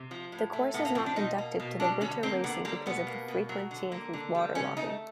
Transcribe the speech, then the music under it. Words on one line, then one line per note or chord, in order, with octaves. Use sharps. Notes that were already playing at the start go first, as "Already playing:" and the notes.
The course is not conducive to winter racing because of the frequency of water-logging.
Already playing: C3
F3
A2
A3
A2 B3
A#3
F3 C4
D4
B2 D#4
A#3
B2
G3 D4
D3 C#4
A#3 C4
D3 B3
G3 A#3
B2 B3
A#3
B2
F#3
D3
A#3
D3
G3
C#3 C#4
A3 D#4